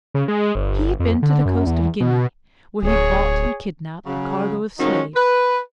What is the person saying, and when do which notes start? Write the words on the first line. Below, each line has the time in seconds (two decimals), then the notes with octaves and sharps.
He had been to the coast of Guinea, where he bought and kidnapped a cargo of slaves.
0.14 C#3
0.28 G#3
0.55 G1
1.00 F2
1.22 D3
1.45 F#2
1.66 E2
2.00 B2
2.83 D1 G#4 C#5
4.06 C#3 F#3
4.79 D#3 F3 F#3 G#3 C#4 D#4
5.15 B4